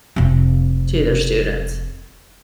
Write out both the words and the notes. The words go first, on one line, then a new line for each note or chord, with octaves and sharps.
to their students.
F1 C3